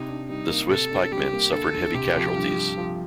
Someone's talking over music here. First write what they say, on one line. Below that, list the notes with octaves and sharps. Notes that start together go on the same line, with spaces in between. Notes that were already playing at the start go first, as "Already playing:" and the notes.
The Swiss pikemen suffered heavy casualties.
Already playing: C3 D#4
D4
G3 D#4
A#3
C3 A4
D4
G3 G4
A#3
D2 A4
D2
C3 G4
F3
G2
G2
F3